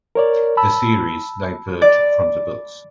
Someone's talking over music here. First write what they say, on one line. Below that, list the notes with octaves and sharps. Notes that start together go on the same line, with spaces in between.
The series diverged from the books.
A#4 C#5 D5
A5 B5 E6
D5